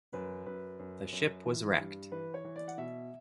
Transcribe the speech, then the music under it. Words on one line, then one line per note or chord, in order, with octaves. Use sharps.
The ship was wrecked.
F#2 B4
F#2 B4
F#2
F#2
E3
G2
E3 B4
C#5
E3
D5
F#5
B2 E5